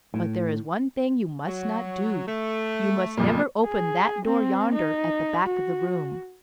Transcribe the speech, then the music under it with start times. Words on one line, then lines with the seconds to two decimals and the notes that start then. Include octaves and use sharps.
But there is one thing you must not do: you must never open that door yonder at the back of the room.
0.14 A2
1.46 F#3
2.27 A3
3.17 F#1 F2 A#2
3.63 G#4
4.25 C4
4.75 D#4
5.45 F#4